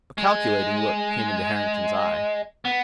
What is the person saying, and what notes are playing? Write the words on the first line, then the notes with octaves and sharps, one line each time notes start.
A calculating look came into Harrington's eye.
G#3
B3